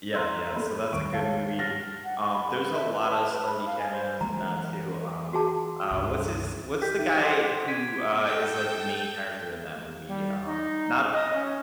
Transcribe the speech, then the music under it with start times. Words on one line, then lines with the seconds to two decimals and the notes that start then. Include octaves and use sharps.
Yeah, yeah, so that's a good movie, um, there's a lotta celebrity cameos in that too, um, uh, what's his what's the guy who, uh, is, like, the main character in that movie, um, not
0.14 A#5 C6 E6
0.56 A#3 A4 B5
0.92 D#1 C#6 D7
1.12 C#5 F5 G5 A5
1.59 F6 A6 A#6
2.04 F#5
2.19 C#6
2.33 B5
2.57 B4
2.72 E5
2.92 B4
3.10 A5
3.32 B4
3.47 B5
3.66 F5
3.79 G#5
3.92 C5
4.21 E3 G#3 A#3 A#5
5.33 F#4 G#4 A5
5.91 C#2 G2 C3
6.82 G4 G6 B6
6.98 D#4 E5
7.21 A4 C5 F#5 C6 D6
7.68 G#6 B6 D7 D#7
8.25 A4 G5
10.08 G3
10.46 D#4
11.13 D#5
11.33 C#4